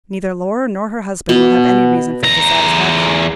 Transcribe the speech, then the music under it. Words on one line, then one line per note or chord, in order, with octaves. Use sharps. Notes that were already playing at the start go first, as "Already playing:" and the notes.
Neither Laura nor her husband will have any reason for dissatisfaction.
B2
E2 A#5